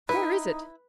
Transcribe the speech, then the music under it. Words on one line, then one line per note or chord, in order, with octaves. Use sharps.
"Where is it?"
D#4 E4 B4